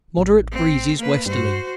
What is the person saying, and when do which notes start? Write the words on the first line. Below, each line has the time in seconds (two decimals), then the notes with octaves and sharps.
Moderate breezes westerly.
0.18 A1
0.51 C4
0.97 A#3 B4
1.26 G2 F#4 C5